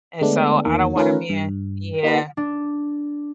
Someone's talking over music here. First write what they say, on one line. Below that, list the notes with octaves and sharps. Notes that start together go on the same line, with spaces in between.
and so, I don't wanna man yeah,
D3 G#3 A3 B3 D4
E2 D#3 A#3
D#3 A3 C#4 F4 A#4 B4
G2
A#3 D#4 G4 B4
D4